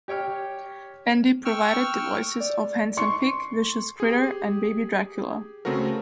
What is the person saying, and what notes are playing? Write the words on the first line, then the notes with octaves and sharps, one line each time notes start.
Andy provided the voices of Handsome Pig, Vicious Critter and Baby Dracula.
G4 C#5 G5 F6
G5 C#6 E6 F6
D5
C6 C#6 C#7
G4 G#4
C#3 A3 C4 F#4 A#4